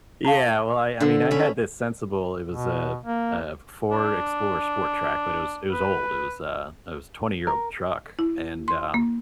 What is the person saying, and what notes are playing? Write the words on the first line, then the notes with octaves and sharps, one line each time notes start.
Yeah, well, I I mean, I had this sensible it was a a Ford Explorer sport track, but it was it was old, it was a it was a twenty-year-old truck, and, um,
F5 A5 A#5
D3 F3 D4 A4
C#4 B5
B2
A#3
D4
B4
A#4
E4
C6
A#3